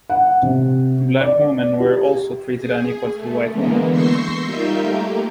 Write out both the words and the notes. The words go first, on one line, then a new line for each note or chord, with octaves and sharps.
Black women were also treated unequal to white women.
F#5
C3
D5
G4
G#4
A3
D3 E3 G#3 A#3 B3
C6 C#6 E6 G6 A#6 C7
G3 D#4 F4 A#4 E5 G6
A3 A#3 G4